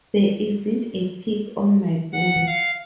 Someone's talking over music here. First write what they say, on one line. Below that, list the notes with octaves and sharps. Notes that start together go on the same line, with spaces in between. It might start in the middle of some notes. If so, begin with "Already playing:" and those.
There isn’t a pick on my bones.
F#5
F5